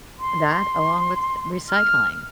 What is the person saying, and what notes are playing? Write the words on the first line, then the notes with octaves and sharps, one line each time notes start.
that along with recycling.
C6
F6